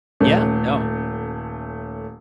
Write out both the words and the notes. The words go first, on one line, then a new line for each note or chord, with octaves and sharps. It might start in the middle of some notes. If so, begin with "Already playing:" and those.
Yeah, no.
D#1 A3 C#4